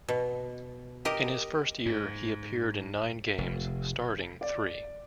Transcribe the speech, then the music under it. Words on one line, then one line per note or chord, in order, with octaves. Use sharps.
In his first year, he appeared in nine games, starting three.
B2
G4 A#4 D#5
G#2
F1
D5